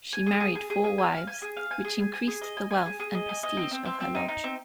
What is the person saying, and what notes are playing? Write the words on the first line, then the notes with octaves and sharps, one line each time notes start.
She married four wives, which increased the wealth and prestige of her lodge.
G#5
G#4
G#4
G#4
G#4
G#4
G#5
F5
G#5
G#4
F5
G#5
G#4
G#5
G#5
G#4
D#5
G#5
G#5
G#4
G#4
D#5
G#5
D#5
C4
C4
C4
C4
D#4
D#4
C4